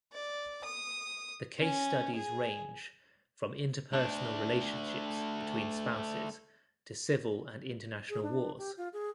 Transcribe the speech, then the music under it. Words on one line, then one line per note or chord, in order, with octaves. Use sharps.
The case studies range from interpersonal relationships between spouses to civil and international wars.
D5
D#6
C#4
G#4
A3 D4
G#4
D4
G4
F4
G#4